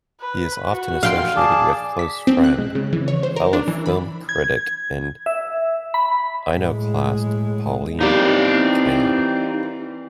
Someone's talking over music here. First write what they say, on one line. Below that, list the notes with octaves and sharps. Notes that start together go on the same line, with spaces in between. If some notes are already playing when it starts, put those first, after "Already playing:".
He is often associated with close friend, fellow film critic and iconoclast Pauline Kael.
B4
F#4
F5 G5 C6
G#4 D5 A5
B6
C4
F#6
G#3
C#3
E3
C#5
C5
A#4
D4
E3
B5
G#6
E5
B5
A2 G#3
E3 G3 A#3 C4 D#4 D5